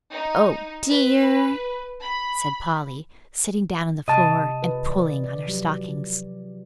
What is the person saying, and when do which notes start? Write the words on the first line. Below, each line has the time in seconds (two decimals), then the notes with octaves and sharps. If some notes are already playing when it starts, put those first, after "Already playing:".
"Oh dear!" said Polly, sitting down on the floor, and pulling on her stockings.
0.10 D#4
0.89 B4
2.00 B5
4.08 C3 D#5 A5
4.63 F4 B4
4.86 E3 D5
5.24 D5
5.47 F3 F#3 G4